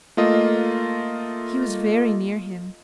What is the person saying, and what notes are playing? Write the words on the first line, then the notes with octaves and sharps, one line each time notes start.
He was very near him.
A3 A#3 F4 D#5